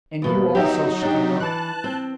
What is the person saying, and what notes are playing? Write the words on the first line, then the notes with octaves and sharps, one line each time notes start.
And you, also, Skinner?
E2 B2 A#3
F#3 D#4 G4 E5
D4 G4
E3 A5 F#6
C4